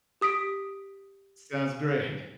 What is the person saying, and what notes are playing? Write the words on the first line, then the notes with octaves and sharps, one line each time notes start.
Sounds great.
G4 D#6 B6 D7